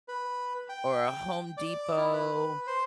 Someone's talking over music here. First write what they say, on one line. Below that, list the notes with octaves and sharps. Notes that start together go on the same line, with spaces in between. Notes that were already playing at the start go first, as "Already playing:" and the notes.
or a Home Depot
B4
G5
D5
E4
B4
C5